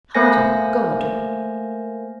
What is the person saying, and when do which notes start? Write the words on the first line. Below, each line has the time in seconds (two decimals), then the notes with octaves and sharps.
Heart of God!
0.15 A3 A#3 A#4 C5 G#5 A#6